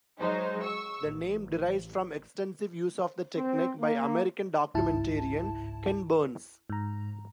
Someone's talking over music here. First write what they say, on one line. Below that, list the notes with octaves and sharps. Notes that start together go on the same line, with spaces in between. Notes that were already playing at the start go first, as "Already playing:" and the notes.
The name derives from extensive use of the technique by American documentarian Ken Burns.
F#3 G#3 D#4 C5
C#6 E6
A1
C4
A#3
G1 C#2 G#2 E4 A5
G#2 A#5